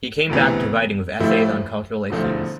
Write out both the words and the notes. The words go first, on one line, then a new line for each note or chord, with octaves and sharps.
He came back to writing with essays on cultural issues.
E1 D2 C3 E3 B3
A1 A2 F3 A3 E4
E1 E2 D3 F3 A3